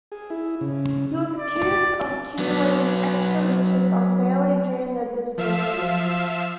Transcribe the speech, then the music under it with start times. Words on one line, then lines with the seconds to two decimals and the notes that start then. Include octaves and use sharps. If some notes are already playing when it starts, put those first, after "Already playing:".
He was accused of accumulating extra riches unfairly during the dissolution.
0.12 G#4
0.30 E4
0.61 C#3
1.39 D5
2.39 F#3 B3
5.38 F3 E5 F5 E7